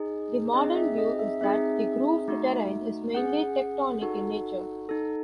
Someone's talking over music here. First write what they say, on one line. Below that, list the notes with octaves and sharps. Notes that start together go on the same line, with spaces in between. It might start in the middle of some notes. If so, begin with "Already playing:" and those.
The modern view is that the grooved terrain is mainly tectonic in nature.
Already playing: D#4 G#4 D#5
C4 D#4 G#4 D#5
E5
D#5
E5
C4 D#4 G#4 E5
A3 D#4 F#4
C#4 G#4 F#5
D#4 F#4 A4
D#4 A4